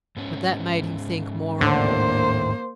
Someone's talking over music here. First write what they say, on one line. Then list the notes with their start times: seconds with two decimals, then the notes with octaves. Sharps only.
But that made him think more and more.
0.17 G#2 B3 C#4
1.61 D#2 A2 D3 A#3 C5